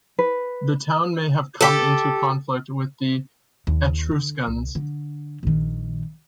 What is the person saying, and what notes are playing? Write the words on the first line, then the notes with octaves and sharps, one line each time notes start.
The town may have come into conflict with the Etruscans.
B4
G4 A4
D#2
D3
C2
D3
A#1 D#3